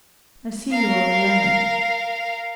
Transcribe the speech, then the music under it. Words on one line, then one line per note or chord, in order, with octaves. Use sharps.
I see you are alone.
A#4 F5